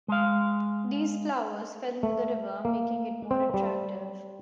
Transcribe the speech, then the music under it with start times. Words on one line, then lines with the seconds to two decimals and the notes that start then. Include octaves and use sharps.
These flowers fell into the river making it more attractive.
0.08 G#3 F5
2.03 A3
2.65 A#3
3.31 C4
3.54 G3